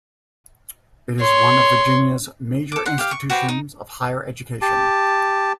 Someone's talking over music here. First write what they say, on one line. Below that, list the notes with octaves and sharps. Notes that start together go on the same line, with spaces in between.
It is one of Virginia's major institutions of higher education.
C#5 C6
A4 D6
F#5 C6
G4 F5
C#6
F#4 G4 B4 C5
D#4
G4 A5